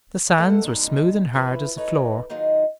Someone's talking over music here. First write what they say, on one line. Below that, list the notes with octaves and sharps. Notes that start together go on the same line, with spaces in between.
The sands were smooth and hard as a floor.
B2 A3 A4 A#4 F#5 G5
B2 D3 G3 G#3 D4 D#4
E3 F3 C#4 E4 B4
D#4 A4 B4 C#5
D#3 F#3 D#4 F4 G#4